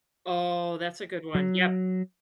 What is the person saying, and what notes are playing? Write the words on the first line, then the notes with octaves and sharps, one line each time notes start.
Oh, that's a good one. Yep.
F#3